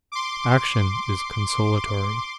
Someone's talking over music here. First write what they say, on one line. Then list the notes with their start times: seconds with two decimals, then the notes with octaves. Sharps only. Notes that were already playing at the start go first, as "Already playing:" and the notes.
Action is consolatory.
0.12 C6 D6